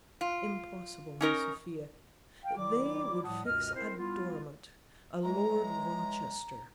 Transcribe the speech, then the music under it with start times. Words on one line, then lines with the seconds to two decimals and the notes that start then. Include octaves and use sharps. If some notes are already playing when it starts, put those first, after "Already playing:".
Impossible! my Sophia; they would fix a Dorimant, a Lord Rochester.
0.21 F4
1.21 C#4 D#4 A#4
2.43 F5 G5
2.57 D#3 F#3 E4 D5 D6
3.24 A2 F3 G3 F#5 A5 D#6
3.46 C#2 F#2 B2 D#5 F6
3.75 C4 E4 A#4 C5
3.98 G3 B3 E4 F4
5.24 E3 F#3 G#3 A#5